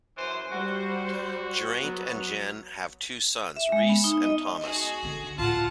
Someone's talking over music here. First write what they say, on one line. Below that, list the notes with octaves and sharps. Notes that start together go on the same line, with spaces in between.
Geraint and Jen have two sons, Rhys and Thomas.
F#2 E3 C5
G3 F#4 C5
F#3 B3
E5
G#3
B3
D#4
D#5
F#4 G#4
D3 B3
D2 A2 F4 F#5 A5